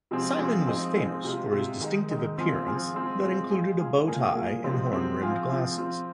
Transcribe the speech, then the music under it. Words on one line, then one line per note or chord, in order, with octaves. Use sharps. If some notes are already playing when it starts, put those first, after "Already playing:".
Simon was famous for his distinctive appearance that included a bowtie and horn-rimmed glasses.
C3 F3 G#3 C4 G#4
C3 F3 G#3 C4 G#4
F3 G#3 C4 D#4 G#4
F3 G#3 C4 D#4 G#4
C3 G#3 F4
C3 G#3 F4
D#3 G#3 D#4
D#3 G#3 D#4
F3 C4 F4 G#4
F3 C4 F4 G#4
G#3 C4 F4 G#4
G#3 C4 F4 G#4
G#3 F4 G#4
G#3 F4 G#4
A#2 A#3 G#4
A#2 A#3 G#4
C3 F3 G#3 C4
C3 F3 G#3 C4
F3 C4 F4 G#4
F3 C4 F4 G#4
F3 C4 F4